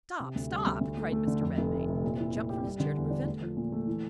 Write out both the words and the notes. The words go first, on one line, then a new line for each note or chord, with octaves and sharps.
"Stop, stop!" cried Mr. Redmain, and jumped from his chair to prevent her.
C3
D2
G3
D2
D2
A3
A3
D3
F2
F1
C3
C3
A#2
E4
A#2
G4
G3
D3
E2
D4
A3
F3
A#2
A3
E3